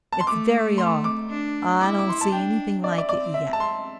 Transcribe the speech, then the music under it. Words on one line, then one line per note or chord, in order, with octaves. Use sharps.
It's very odd; I don't see anything like it yet.'
A5
C6
A3 D6
C6
D6
D4
E4 D6
D6
C6
A5
D4 G5
C4 D5
E5
D5
D5
E5
A5
C6